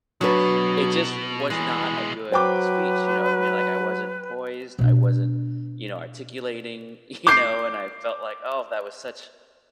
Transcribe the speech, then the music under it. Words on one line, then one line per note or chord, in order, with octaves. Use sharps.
it just was not a good speech. You know what I mean? Like, I wasn't poised, I wasn't you know, articulating, you know? And I felt like oh, that was such
B2 F#3 D4 B4
B2 E3 G#3
F#3 B4 C5 G5 D6
B2 D4
D6 G6 C7